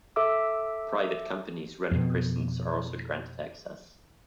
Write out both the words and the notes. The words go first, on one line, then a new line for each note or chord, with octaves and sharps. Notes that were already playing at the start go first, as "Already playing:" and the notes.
Private companies running prisons are also granted access.
A4 E5 D6 E6
F2 B2